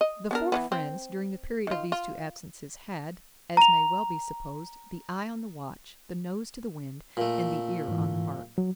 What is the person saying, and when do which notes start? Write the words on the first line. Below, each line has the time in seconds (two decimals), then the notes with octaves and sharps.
The four friends, during the period of these two absences, had, as may well be supposed, the eye on the watch, the nose to the wind, and the ear on the hark.
0.01 D#5
0.31 B3 D4 A#4
0.52 E3 F#3 B3
0.72 C4
1.67 D#3 F4
1.92 F4
3.57 A#5 F7
7.17 A#2 A3
7.88 G#2 E3
8.58 F#3